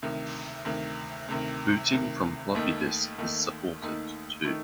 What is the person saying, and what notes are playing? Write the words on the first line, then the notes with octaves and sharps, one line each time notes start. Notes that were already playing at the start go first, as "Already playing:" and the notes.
Booting from floppy disk is supported, too.
D2 C3 D#3
D2 C3 D#3
D2 C3 D#3
D2 C3 D#3
D#2 D#3 A3 D#4
D#2 D#3 A3 D#4
D#2 D#3 A3 D#4
D#3 A3 D#4